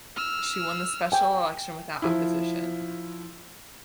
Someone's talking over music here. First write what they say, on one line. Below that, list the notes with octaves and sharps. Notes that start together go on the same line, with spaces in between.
She won the special election without opposition.
E6 F6
G5 G#5
F3 E4